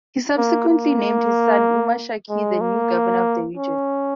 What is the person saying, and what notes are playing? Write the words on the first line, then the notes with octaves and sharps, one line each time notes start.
He subsequently named his son Umar Shaikh the new governor of the region.
A#3
A#3
G#3
A#3
C#4